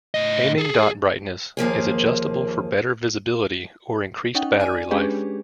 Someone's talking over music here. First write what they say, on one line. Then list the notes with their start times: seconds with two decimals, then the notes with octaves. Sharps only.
Aiming dot brightness is adjustable for better visibility or increased battery life.
0.14 A2 D#5
0.58 G#4 A4
1.57 D#2 F3 A#3 G#4
4.35 C#4 D#4 F#5 G5
4.60 D5 G#5 D#7
4.91 G#3 C#4 D4 G4 G#4 B4